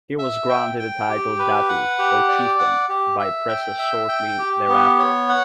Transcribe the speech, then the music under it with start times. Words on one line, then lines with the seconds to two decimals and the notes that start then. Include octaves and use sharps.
He was granted the title "Datu", or chieftain, by Presas shortly thereafter.
0.19 E5
0.49 G5
0.79 G5
1.09 G4
1.39 B4
1.69 F#5
1.99 G4
2.29 D5
2.59 F#5
2.89 G4
3.19 E5
3.49 G5
3.79 E5
4.09 G5
4.39 G4
4.69 B3
4.99 C#5
5.29 F#5